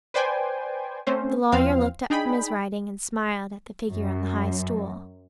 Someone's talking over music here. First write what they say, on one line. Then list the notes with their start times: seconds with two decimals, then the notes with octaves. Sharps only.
The lawyer looked up from his writing, and smiled at the figure on the high stool.
0.14 B4 C5 D5 G5 G#5
1.07 A3 C4 C#4 C5
1.52 E2 F3 C4 F5
2.10 D4 D#4 G#4 G5 B5
3.89 F#2